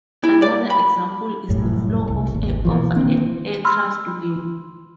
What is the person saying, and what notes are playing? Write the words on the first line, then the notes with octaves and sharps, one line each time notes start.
Another example is the flow of air over an aircraft wing.
E4
D5
B5
F1 F#2 A2 G3
C2
G#1 D#2
B2 E3 F3
D#3 A#3 C4 D4
B5 C6 E6 F6